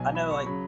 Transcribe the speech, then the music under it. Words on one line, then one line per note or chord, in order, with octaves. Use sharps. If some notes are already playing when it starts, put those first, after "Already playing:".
I know, like
Already playing: B1 B2 F#3 G#5
B5
C#6
C#3 F#3 B5